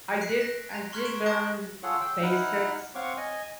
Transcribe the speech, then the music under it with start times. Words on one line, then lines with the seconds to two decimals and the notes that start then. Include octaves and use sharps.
I did I did learn basics,
0.21 F#6 B6 C7 D7
0.41 F#6 A#6
0.71 A#5 F#6 G#6
0.92 C6 C#6 F6 F#6 G#6 B6
1.05 C#6 G#6 D7 E7 F#7
1.26 A5 A#5 C#6 D#6 G6 D7
1.83 F4 G#4 A4 C#5 F#5
2.01 G5 E6
2.23 D#4 E4 F#5 F6 F#6
2.95 C4 C#5 F5 F#5 C#6 D6
3.17 D#5 G#5